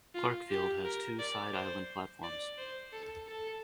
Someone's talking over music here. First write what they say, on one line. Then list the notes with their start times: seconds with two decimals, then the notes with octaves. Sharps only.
Clarkefield has two side island platforms.
0.14 F4
0.50 G4
0.85 A#4
1.20 D5
1.53 C5
2.24 D5
2.58 C5
2.93 A4
3.28 A4